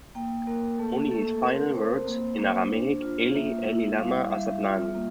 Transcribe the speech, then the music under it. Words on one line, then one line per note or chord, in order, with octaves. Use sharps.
Only his final words, in Aramaic, Eli, Eli lama asabthani?
A#3 G5
A#3 A#4
A3 A4
A3 A4
C4 A#4
C4 C5
A#3
A#3
D4
F4
A#3 E5
E4
G3 F5
G3 E5
F4
A#3